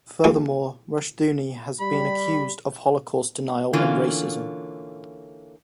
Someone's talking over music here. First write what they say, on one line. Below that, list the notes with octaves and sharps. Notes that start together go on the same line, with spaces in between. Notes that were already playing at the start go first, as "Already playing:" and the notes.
Furthermore, Rushdoony has been accused of Holocaust denial and racism.
E3 F#3 G#3 A#3 F4
G3 B5
D3 E3 A#3 C#4 F4